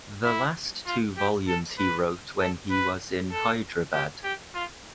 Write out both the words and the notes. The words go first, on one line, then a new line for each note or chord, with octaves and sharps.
The last two volumes he wrote when he was in Hyderabad.
E4
F4
G4
A4
B4
A4
B4
A4
G4
G4
F4